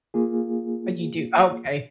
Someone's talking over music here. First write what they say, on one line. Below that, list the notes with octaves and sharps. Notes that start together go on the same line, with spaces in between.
Oh, you do? Okay.
A#3 F4 G#4